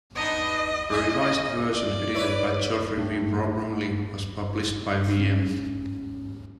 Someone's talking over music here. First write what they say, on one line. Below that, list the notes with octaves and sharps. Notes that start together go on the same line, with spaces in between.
A revised version, edited by Geoffrey W. Bromiley, was published by Wm.
B3 D4 D#4 D#5
F#2 G#4 D#5 E5
D5
E4 B4 C#5
A2
G#2 C#4